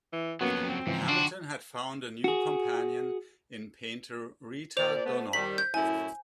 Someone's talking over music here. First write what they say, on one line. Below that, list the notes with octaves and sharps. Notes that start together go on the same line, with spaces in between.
Hamilton had found a new companion in painter Rita Donagh.
E3
F2 F#3 A#3 B3 C#4 F#4
C4
G#2 C#3 E3 F3
D#3 D4 F#4 C6
F#4 G#4
A#2 C5 D5 F7
A3 B3
D#3 G3 B6 F#7
G6
F#2 A2 E4 G#5